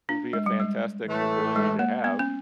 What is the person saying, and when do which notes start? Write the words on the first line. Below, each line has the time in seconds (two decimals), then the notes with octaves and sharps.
It would be a fantastic ability to have.
0.09 D4
0.33 G#3
0.46 G3
0.60 G#3
1.07 A2 E3 A3
1.56 G#3
1.79 A#3
2.04 B3
2.19 C#4